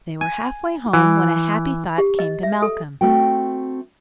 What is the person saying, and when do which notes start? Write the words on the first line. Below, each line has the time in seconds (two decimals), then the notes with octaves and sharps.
They were half-way home when a happy thought came to Malcolm.
0.21 G#5
0.93 E3
1.98 G4
2.19 D#5
2.43 E5
2.62 A4
3.01 A3 C4 F#4 G5